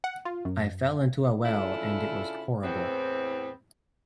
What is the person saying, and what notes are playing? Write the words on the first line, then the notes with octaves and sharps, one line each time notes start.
I fell into a well and it was horrible.
F#5
F4
F#2
C#3 D4 E4 F4 A4
E2 A2 B3 C4